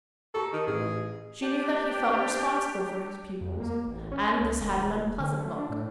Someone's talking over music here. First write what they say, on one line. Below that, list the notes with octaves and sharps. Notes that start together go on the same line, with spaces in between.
She knew that he felt responsible for his pupils, and this had an unpleasant look.
G4 A4 A#5 C#6
D#3
A1 G#4
D4 G4
F2
A#3
A1
C#4
C#2
E1
D3
A3
D4
A2